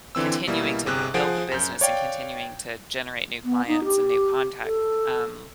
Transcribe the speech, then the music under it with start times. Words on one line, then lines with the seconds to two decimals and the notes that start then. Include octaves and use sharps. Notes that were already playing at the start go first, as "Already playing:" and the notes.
continuing to build the business, and continuing to generate new clients and new contacts, um
0.15 D3 E3 C4 E6
0.47 B2 G3 A#3 E4
0.86 G1 C3 G#4 F#6
1.14 F3 G#4 C5 F#5 G#5 D7
1.52 F#2 G6
1.81 C#5 D5 F5 G5
3.44 B3
3.68 D#4
3.84 G4
4.64 A4